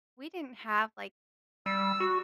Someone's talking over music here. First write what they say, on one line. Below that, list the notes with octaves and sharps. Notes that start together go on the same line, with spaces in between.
we didn't have, like,
G3 E6
F#4